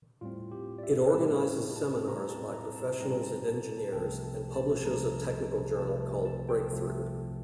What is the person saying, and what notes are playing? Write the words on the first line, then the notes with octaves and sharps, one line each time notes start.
It organizes seminars by professionals and engineers and publishes a technical journal called "Breakthrough".
A2 G3 C4 F4
G4
D5
E5
A2 G3 C4 A5
A5
A2 G3 C4 A#5
A5
A#5
A5
A2 G3 C4 A#5
A5
A5
A5
A5
C2 C3 F3 A3 G5
A5
A5
C2 C3 F3 A3 A#5
A5
C2 C3 F3 A3 A5
A5
G5
C2 C3 F3 A3